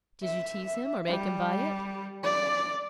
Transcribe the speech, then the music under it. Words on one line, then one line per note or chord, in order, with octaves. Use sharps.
"Did you tease him, or make him buy it?"
E5
G3
D5